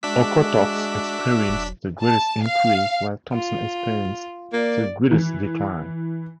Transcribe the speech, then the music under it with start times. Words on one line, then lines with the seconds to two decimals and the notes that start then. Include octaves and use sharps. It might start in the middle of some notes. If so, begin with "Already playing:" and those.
Okotoks experienced the greatest increase while Thompson experienced the greatest decline.
0.03 G#3 D4 F#4 E5 D6 B6
1.49 E1 F#3
2.02 A5
2.44 F5
3.33 F4
4.53 A#3 D5
5.11 E3